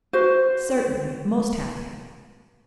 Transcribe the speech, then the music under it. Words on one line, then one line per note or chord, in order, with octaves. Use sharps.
"Certainly; most happy."
F#4 B4 C5